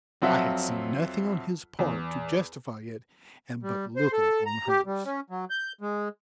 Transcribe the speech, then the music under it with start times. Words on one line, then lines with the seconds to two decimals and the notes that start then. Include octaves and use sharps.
I had seen nothing on his part to justify it and but little on hers.
0.22 F2 F#3 C4 F4 E5 F#5
1.79 E2
3.63 G3
3.96 C5
4.12 A4
4.46 A#5
4.68 G4
4.86 G3
5.05 C#4
5.30 F#3
5.50 G6
5.81 G#3